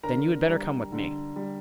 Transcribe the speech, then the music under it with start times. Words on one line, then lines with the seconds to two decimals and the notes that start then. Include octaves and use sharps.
"Then you had better come with me."
0.03 D3 A#4 A#5
0.48 G3
0.92 D3
1.36 G3